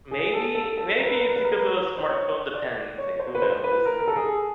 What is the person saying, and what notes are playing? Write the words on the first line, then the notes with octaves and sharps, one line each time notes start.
Maybe maybe it's because of the smartphone dependency, who knows?
G#4
A4
A4
A4
A#4
B4
A#4
B4
A#4
B4
A#4
B4
A#4
C5
C#5
D5
C#5
C5
B4
C5
B4
A#4
A#4
A4
G#4